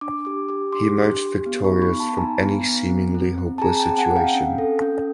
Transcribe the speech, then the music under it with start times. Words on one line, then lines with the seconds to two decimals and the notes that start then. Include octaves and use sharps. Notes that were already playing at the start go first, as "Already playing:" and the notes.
He emerged victorious from any seemingly hopeless situation.
0.01 D4 D6
0.25 G4 D6
0.49 G4 D6
0.72 D4 C6 D6
0.98 G4
1.22 G4
1.46 B3
1.64 B5 C#6
1.70 D#4
1.82 B5 C#6
1.93 B3
2.00 A5 B5
2.17 D#4 G#5 A#5
2.42 B3
2.66 B3
2.90 C4
3.15 C4
3.38 C4
3.58 A5
3.62 G#4 G#5 A#5
3.80 G5 A5
3.86 C4
3.98 F#5 G#5
4.11 C4
4.16 F5 G5
4.34 C#4
4.58 A4
4.82 C#4